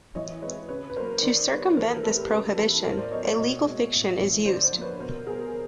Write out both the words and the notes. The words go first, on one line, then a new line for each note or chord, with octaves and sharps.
To circumvent this prohibition, a legal fiction is used.
E3 C#5 D#5
G#3 C4 B4 C#5
C#3 B4 C#5
B4
F#3 A#3 A#4 C5
D#3 C5 D5
G3 B3 B4 C#5
E3 A#4 C5
A4 B4
A3 C4 A4 B4
G4 A4
C#3 A4 B4
E3 G3 B3 A4 B4
A2 A#4 C5
C5 D5
F#3 B3 C#5 D#5
C5 D5
B2 C#5 D#5
G#3 C4
A2
E3 A3 C4
D3 C5 D5
C5 D5
F3
A#3 B4 C#5
B2 A#4 C5
G3 B3 G#4 A#4